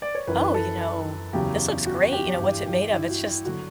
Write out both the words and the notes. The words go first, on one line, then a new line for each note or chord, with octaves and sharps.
"Oh, you know, this looks great, you know, what's it made of?" It's just,
D5
C#5
F#2 E3 B4
A4
E2 C#3 F#3 G4
F#4
G4
G2 E3 G4
G4
E4
F#4
E4
D3 F#3 F#4